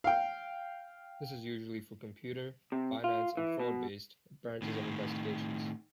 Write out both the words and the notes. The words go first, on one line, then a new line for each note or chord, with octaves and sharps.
This is usually for computer, finance and fraud based branches and investigations.
F5 G5
C3
F4
E3
B2
A2 D#3